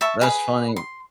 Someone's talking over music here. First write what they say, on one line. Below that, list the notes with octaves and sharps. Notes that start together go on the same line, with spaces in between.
that's funny.
E5 A5 C#6
G#4 B4
C6